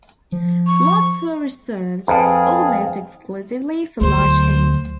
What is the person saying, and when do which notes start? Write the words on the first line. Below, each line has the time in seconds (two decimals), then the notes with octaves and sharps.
Lots were reserved, almost exclusively for large homes.
0.32 F3
0.67 C#6
2.08 F2 G#4 B4 F5 A5
4.01 D2 F#3 C5